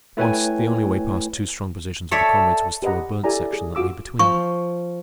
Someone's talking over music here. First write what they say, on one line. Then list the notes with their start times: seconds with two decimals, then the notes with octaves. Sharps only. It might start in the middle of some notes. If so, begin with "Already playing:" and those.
Once, the only way past two strong positions of the comrades was through a burnt section that lay between.
0.17 A3 E4 B4 C#5 G5 G#5
2.11 A4 C#5 D5 E5
2.82 G4 B4 D#5 F#5 A#5
3.24 E4 G4 A4 D5 G#5 A#5
3.53 G#4
3.75 F4 F#4 F5 D6 E6
4.19 F3 C#6